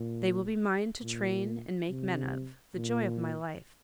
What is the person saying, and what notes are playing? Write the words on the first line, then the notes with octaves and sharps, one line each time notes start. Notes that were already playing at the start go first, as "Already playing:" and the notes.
They will be mine to train and make men of--the joy of my life.
Already playing: A#2
A#2
C3
A#2